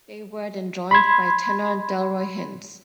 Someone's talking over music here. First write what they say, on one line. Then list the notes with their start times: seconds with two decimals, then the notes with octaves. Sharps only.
They were then joined by tenor Delroy Hinds.
0.91 B5 C6 G#6